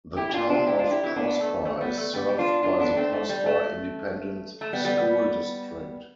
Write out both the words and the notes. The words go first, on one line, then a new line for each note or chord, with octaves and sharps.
The Town of Prosper is served by the Prosper Independent School District.
E4 G4
G4
D4 F4
D4 F4
E4 G4
D4 F4
E4 G4
C4 E4
B3 D4
A3
A3
G3 B3
A3
G3 B3
G4
D4 F4
D4 F4
B3 D4
A3 C4
A3
G3
A3
A3
G3 B3
G3 B3
G3 B3